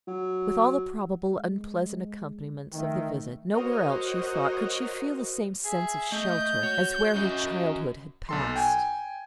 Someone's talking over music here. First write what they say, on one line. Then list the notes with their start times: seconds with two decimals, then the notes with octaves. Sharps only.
With all the probable unpleasant accompaniments of the visit, nowhere else, she thought, could she feel the same sense of shelter as where her childhood had passed.
0.07 F#3
1.33 G#3
2.72 F1 D#3 A3
3.53 F#4 A#4 C5 C#5 D#5 F#5
5.65 G#4 E5
6.12 A3 D#5 G6
6.63 F#4 C#5
7.15 C#4 F#4 D#5 E5
8.29 B1 A4 C6
8.56 G5 G#5